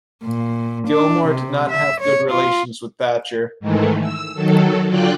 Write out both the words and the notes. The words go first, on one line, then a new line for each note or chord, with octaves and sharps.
Gilmour did not have good relations with Thatcher.
A#2
D4
C3
E5
C#5
F4
G#2 D#3 E3 G#3 A3
E6
D#3 F#3 A4
D3 F#3 F4 D5 G5 F#6